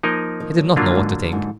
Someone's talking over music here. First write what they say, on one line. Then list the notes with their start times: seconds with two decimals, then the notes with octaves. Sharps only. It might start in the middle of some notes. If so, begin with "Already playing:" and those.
He did not know what to think.
0.03 F3 A#3 D#4 A#4 D#5
0.40 D#3
0.58 F#3
0.76 D3 D#3 F#3 A#3 D4 F4
0.95 G#2
1.32 G#2